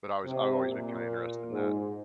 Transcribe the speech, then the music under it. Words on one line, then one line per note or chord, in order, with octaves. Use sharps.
But I was I've always been kinda interested in that.
C3
A#2
G#2